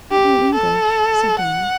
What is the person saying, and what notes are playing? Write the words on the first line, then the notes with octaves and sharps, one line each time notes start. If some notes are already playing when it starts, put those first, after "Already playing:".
'Aren't you English?' said Dan.
G4
A4
F#5